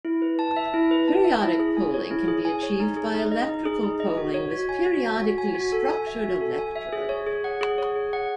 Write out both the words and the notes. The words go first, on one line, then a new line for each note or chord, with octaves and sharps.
Periodic poling can be achieved by electrical poling with periodically structured electrode.
E4
B4
A5
E5
E4
B4
A5
E5
E4
G#4
G#5
C#5
E4
G#4
G#5
C#5
D#4
G#4
D#4
D#5
D#4
G#4
D#4
D#5
F#4
C#5
F#4
G#5
F#4
C#5
F#4
G#5
F#4
A4
G#5
E5
F#4
A4
G#5
E5
G#4
C#5
G#4
F#5
G#4
C#5
G#4
F#5